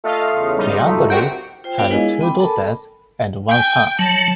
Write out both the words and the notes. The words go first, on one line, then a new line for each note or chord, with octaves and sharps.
The Andrews had two daughters and one son.
A3 F4 D#5 F5
E2 C#3
G3 D#4 F4
E2 G2 B2 A3
C4 F#4 G4 A#4 C5 F#5 G5
F4 C5 G5
B3 D4 F4 F#4 A#4 C#5
G#3 E4 G#4 D#5 F5 G#5
C4 G5 G#5 B5 D6
A4 A#4 A5 B5
G5 G#5
F#3 A5